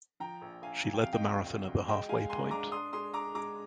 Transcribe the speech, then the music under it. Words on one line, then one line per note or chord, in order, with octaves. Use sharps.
She led the marathon at the halfway point.
F3 G5 A#5
A#1
A#1 F5 G#5
F3 G#5
G5
C3 F5
D#5 G5
D2
D2
D2
G#3 D#5 G5
G#3 F5 G#5
G#2 G#5 C6
D4 A#5 D6
D4 C6 D#6
G#3 C6 D#6
D4 A#5 D6
G#3 A#5 D6